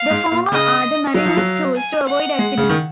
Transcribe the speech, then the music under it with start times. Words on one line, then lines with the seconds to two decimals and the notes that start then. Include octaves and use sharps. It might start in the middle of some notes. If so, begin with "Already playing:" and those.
The former are the mariner's tools to avoid accident.
Already playing: F5
0.10 G#2
0.32 A#2
0.52 C#3 D#5
1.14 F#3 F5
1.25 F3
1.37 F#3
1.76 G#5
2.07 F#5
2.39 G#3
2.58 C#3
2.70 D#3